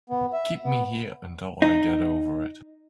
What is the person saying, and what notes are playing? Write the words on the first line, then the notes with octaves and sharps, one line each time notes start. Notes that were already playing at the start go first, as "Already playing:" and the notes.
Keep me here until I get over it.
B3
E5
B3
D#4